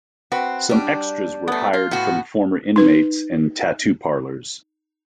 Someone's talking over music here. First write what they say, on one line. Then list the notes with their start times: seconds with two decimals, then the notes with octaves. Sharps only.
Some extras were hired from former inmates and tattoo parlors.
0.32 C4 F#4 B4
0.69 G3 D4
1.48 A3 B3
1.73 F4
1.91 A2 B3 F#4
2.76 D#4 B4